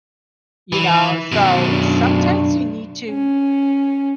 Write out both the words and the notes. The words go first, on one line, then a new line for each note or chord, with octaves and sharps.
you know? So, sometimes you need to
E3
F#2 B2
D4
C#4